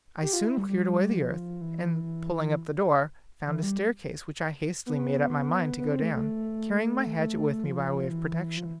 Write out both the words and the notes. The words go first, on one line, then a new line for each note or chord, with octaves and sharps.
I soon cleared away the earth, and pulling up the door, found a staircase, which I hastily made up my mind to go down, carrying my hatchet with me by way of protection.
G4
F4
E4
G3
G3
F3
E3
E3
G3
B3
B3
C4
A3
A3
A3
F3
E3
F3
E3